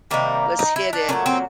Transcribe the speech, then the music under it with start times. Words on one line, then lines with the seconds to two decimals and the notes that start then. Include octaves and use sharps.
let's hit it,"
0.11 C3 D#3 G3 A#3
0.59 D#4
0.76 E4
0.93 D4
1.09 A#2 F#3 A3 C#4
1.26 C4